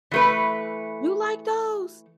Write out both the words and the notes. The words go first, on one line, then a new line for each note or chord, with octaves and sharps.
You like those?
E3 A3 B4